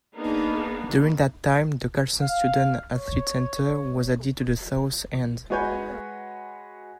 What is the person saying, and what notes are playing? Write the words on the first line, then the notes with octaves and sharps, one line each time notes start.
During that time the Carson Student Athlete Center was added to the south end.
A#3 B3 D4 D#4 G#4
F5
C#5
G#3 F#4 B4 C#5 G#5 G6